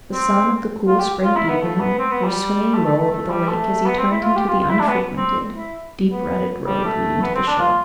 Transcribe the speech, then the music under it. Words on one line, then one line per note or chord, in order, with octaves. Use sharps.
The sun of the cool spring evening was swinging low over the lake as he turned into the unfrequented, deep-rutted road leading to the shore.
C4
F4
G4
F4
E4
B3
A3
B3
C4
B3
G3
A3
A3
A3
A3
G3
A3
B3
C4
E4
F4
G4
F4
F4
E4
D4
B3
C4
E4
B3
G3
A3
B3
C4
D4
F4